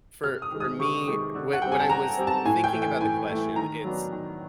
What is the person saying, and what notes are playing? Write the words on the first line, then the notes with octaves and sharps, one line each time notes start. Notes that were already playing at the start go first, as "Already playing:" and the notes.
for for me, when when I was thinking about the question, it's
C3 F6
D#6
D#3 G#3
D#6
C3 C#6
D#3 G#3
D3
F#5
G3 C4 G5
G#5
A5
D3 A#5
G3 C4
A5
A2 G#5
G5
E3 A3
G5
A2 G#5
E3 A3
D#3 A#5
F#3 B3 D4
D#3